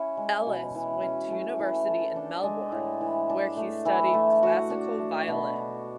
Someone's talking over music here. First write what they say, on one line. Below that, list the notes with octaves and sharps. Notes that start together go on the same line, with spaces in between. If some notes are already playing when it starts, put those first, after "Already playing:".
Ellis went to university in Melbourne, where he studied classical violin.
Already playing: C#4 E4
G#3
B2
E3
C#4
A3
E3
A4
D4
G#3
A2
E3
D4
A3
E3
A3
F#4
D4
A3
B2
D4